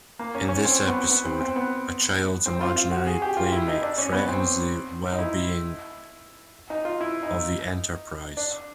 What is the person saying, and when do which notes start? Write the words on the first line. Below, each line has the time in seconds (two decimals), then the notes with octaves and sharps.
In this episode, a child's imaginary playmate threatens the well-being of the "Enterprise".
0.19 A#3
0.35 C#4
0.49 C#4
0.65 C4
0.87 B3
1.10 B3
1.25 C4
1.41 C4
1.56 B3
2.46 C4
2.61 F4
2.76 F4
2.91 F#4
3.07 G#4
3.22 G4
3.37 F4
3.52 E4
3.68 D#4
3.82 D4
3.98 C#4
4.13 B3
4.28 C4
5.12 D#4
5.19 E4
6.70 D#4
6.85 F4
7.01 E4
7.23 D#4
8.37 D4